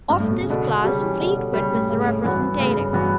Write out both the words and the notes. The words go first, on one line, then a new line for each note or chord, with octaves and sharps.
Of this class Fleetwood was the representative.
G2
A2
B2
C#3
B2 D3
D3
C#3 G3 C#4
E3
B2 D3
D3
C#3 G3 C#4
A2
A2 C#3
A2
G2 E3 B3 F#4
G2
A2 C#3
G2
G2 E3 B3 F#4